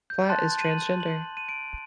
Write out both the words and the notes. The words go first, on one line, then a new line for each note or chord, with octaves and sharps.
Platt is transgender.
G6
A5 C6 F#6 A6
D#7
F#7
F#7
D#7
D7